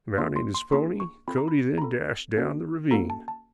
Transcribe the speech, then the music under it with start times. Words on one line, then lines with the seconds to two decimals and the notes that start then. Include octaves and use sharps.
Mounting his pony, Cody then dashed down the ravine.
0.18 A#3 D4 F4 G#4 C6
0.36 C6
0.54 C6
0.72 A#3 D4 F4 G#4 C6
1.00 C#6
1.28 C4 F4 A4 B5
1.38 A#5
1.48 B5
1.78 A#5
1.82 C4 F4 A4 B5
2.37 A#3 C#4 F#4 A4
2.91 A#3 C#4 F#4 A4 A#5
3.10 A5
3.28 A5